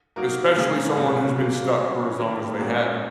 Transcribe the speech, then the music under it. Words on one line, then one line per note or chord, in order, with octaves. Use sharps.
especially someone who's been stuck for as long as they have.
F#3 A#3 D#4 F#4 A#4
C#3 G#3 D#4 G#4
B2 F#3 B3 F4
F#3 A#3 F4
F#3 C#4 F#4
D#3 A#3 F4
A#2 G#3 C#4 F#4 A#4